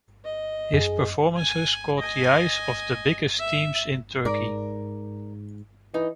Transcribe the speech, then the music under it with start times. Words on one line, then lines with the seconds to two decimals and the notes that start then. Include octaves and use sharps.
His performances caught the eyes of the biggest teams in Turkey.
0.24 D#5
0.74 F#2 G#4
1.37 G#5
1.98 D#5 G#5
3.40 E5
4.25 G#2 A#4 D5
5.94 E3 D#4